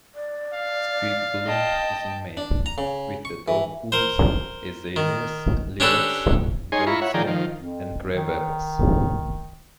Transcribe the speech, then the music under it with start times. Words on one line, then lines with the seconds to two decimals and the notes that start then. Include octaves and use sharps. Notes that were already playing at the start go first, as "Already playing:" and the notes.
Its peak bloom is in May, with the dogwoods, azaleas, lilacs, deutzia and crabapples.
0.15 D5
0.53 F5
1.47 D#5 G5 A5
2.37 D4
2.66 A#5
2.78 C#3
3.25 C#6
3.48 E3
3.92 A#4 C5
4.96 D#3
5.80 C#4 D4 G4 A4 B4
6.72 D#4 G#4 C#5 G#5 C6
6.87 E4 F4 A#5 B5 C#6
7.01 C#5 E5 F#5
7.14 D#3 F3 G#4 D5 G5 A#5
7.27 D#3 F3
7.55 F2
8.12 D#3